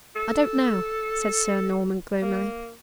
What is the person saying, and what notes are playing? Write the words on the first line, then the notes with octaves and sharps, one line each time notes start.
"I don't know," said Sir Norman, gloomily.
A4
A#3